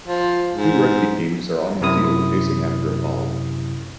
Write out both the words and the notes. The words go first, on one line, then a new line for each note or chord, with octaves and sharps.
Two rugby teams are on the field chasing after a ball.
F3
G#2
F#2 C3 E4 D#6